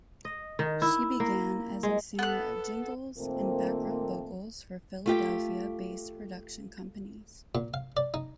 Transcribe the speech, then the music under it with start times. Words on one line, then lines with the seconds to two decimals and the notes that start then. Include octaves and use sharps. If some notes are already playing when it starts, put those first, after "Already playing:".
She began as a singer of jingles and background vocals for Philadelphia-based production companies.
0.25 D#5
0.59 D#3
0.82 E4
1.20 A#3
1.83 G#3
2.19 B3 A4 F#6
3.18 A#2 D#3 A3 A#3 C4
5.06 A3 F4 G4
7.55 A#2
7.74 F5
7.97 D5
8.14 D#4